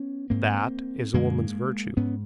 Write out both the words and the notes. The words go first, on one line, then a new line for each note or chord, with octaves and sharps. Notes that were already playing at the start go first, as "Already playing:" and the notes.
That is a woman's virtue.
Already playing: B3 C#4
G#2 A#3 C4
F#2 D3 G#3 A#3
G#2 B3 C#4